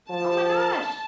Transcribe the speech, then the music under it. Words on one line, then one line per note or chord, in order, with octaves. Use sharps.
Oh my gosh!
F3 A5